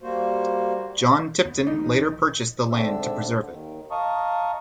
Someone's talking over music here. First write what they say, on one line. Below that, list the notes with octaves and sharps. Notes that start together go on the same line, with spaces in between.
John Tipton later purchased the land to preserve it.
G3 A#3 F#4 C5
D#2 B3
B1 D#3 E3 D#4
G#2 D3 C4 D4 E5 E6
D3
D#2 D#3
D#5 F5 A5 A#5 C#6 D#6